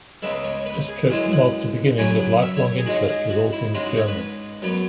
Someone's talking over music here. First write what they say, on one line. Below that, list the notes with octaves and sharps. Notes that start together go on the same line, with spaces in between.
This trip marked the beginning of lifelong interest with all things German.
C#2 C#3 G#3 B3 E5
C#5
B4
G#4
F#2 E3 G#3 C#4 G#4
F#5
F#2 C#3 F#3 C#4 G#5
F#5
E5
C#5
G#4
G#2 G#3 C#4 F#4
G#4
F#4
E4
G#2 G#3 C#4 F#4
F#4
C#5
B4
F#2 F#3 B3